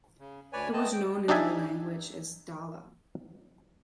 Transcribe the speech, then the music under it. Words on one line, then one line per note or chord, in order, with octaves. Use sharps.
It was known in their language as 'dala'.
C#3
D2 B4 C#5 D5 G#5
A3 B3 C4 D#5 A5
G5
D4 D#4 G4 D5 E5 G#5